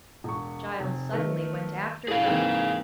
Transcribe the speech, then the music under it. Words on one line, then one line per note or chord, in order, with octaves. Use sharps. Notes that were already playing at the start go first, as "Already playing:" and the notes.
Giles suddenly went after her.
E1 C#6
F1
D#3 A3 B3
A2 G#4 F5
G#2 E3 A#3 C4